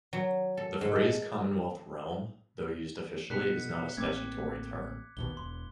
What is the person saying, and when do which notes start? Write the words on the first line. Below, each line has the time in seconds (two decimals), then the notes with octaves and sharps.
The phrase "Commonwealth realm", though used officially, is not a statutory term.
0.13 F#3
0.57 A4
0.81 G#2
0.95 A4
3.30 B2 F#6 B6 C#7
3.97 A1 A#3 C4 D6 G#6
5.17 A#1 D#2 B2 G7
5.37 E1 C6